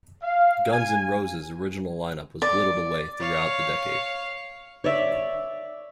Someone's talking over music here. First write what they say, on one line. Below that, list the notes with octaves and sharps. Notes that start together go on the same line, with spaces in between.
Guns N' Roses' original lineup was whittled away throughout the decade.
F5
G#5
D5
C#5 F5
C#5 D5 E5